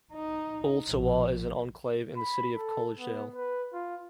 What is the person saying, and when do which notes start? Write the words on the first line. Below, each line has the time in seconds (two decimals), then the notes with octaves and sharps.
Ooltewah is an enclave in the city of Collegedale.
0.13 D#4
0.89 A#1
2.17 B5
2.57 A4
2.99 B3
3.35 B4
3.73 F4